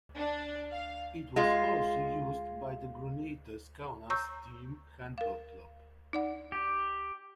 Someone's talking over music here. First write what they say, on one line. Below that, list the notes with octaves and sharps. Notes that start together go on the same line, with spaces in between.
It was also used by the Granitas Kaunas team handball club.
D4
F5
G#3 F4
C#5 A#5 C#6 E6 G6
A#4 F5
D#4 D5 F#5
G4